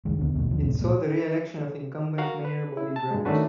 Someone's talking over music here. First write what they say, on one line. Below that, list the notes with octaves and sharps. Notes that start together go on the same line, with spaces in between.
It saw the reelection of incumbent mayor Bobby Bright.
C#2 F#2 D#3 G#3
D#2 D3 D#3 B3
D#2 B2 A3
D#2 D3 F3
C#2 F#2 A2 C3
A#2 G#3
F#4 A#4 F5 F#5
B4
E4
A5
G2 G#3
D#3 A3 C#4 D4 F#4 B4